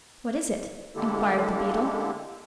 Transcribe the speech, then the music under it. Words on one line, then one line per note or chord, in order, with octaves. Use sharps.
'What is it?' inquired the beadle.
D3 G#3 A#3 E4 G4 A4